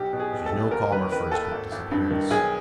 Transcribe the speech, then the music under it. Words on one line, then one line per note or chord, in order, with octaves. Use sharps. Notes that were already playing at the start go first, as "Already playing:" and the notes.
She was no calmer for his quick disappearance.
Already playing: B1 G4
B2
G#4
B2
A4
B1
D#2 A#4
D#3 B4
D#3 B4
D#2 A4
G#1
G#1
G2
D#3
B1 G#4